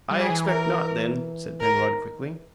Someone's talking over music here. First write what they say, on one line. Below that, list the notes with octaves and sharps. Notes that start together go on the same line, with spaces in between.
"I expect not, then," said Penrod, quickly.
G3
G#4
E3
A#4
D#3 A#4
E3